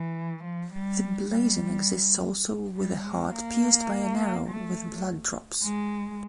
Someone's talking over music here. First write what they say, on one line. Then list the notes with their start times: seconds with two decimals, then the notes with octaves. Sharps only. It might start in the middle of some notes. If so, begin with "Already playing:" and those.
The blazon exists also with a heart pierced by an arrow, with blood drops.
Already playing: E3
0.44 F3
0.74 G3
1.30 G3
2.76 G3
3.04 G#3
3.33 A#3
4.49 A3
5.64 G#3